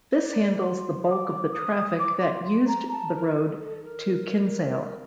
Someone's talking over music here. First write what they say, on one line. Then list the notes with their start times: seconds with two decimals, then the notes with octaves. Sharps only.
This handles the bulk of the traffic that used the road to Kinsale.
0.14 D#5
0.18 D5
0.59 D6
0.63 C6
1.06 D#6
1.10 D6
1.52 D#6
1.99 D6
2.21 C6
2.44 C6
2.67 A#5
2.91 A5
3.14 A#4
3.37 A4
3.60 A4
3.83 A#4